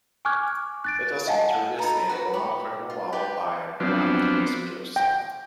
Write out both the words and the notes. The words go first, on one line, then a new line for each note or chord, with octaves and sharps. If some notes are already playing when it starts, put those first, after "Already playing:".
It was introduced in Roman criminal law by emperor Antoninus Pius.
G#5 C#6 D6 F6 F#6 G#6
F#6 A6 D7
D#5 F5 F#5 G#5 A5
D#4 A4 A#5 B5
F#4 B4
G4 B5 C#6
F4
G4 B4 D5 G5
F3 F#3 B3 C4 D4
G5